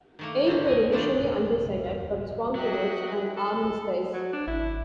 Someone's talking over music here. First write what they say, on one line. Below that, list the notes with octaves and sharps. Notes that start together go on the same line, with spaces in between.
Eight were initially undecided but swung towards an armistice.
D#3 A3 A#3
D3 C4 C#4
D#5 G#5
E3 F#3 C4 D4 F4
F#3 A4 D#5 E5 G5 F#6
A4
F#3
D4
G#1 E4